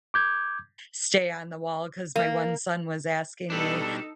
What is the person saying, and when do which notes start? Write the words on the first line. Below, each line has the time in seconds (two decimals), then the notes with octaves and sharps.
stay on the wall 'cause my one son was asking me,
0.14 D6 G6 G#6
2.16 A#3
3.50 B2 G3 D4 D#4 A4